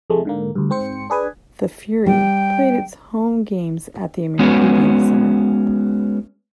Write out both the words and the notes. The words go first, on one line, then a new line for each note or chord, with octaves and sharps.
The Fury played its home games at the American Bank Center.
F2 C3 G#3 A3
G#2 D3 A#3
D2 G2
G#2 C4 C5 C#7
D4 G#4 B4 G#5
G3 G5
G#3 B3 C#4 F#4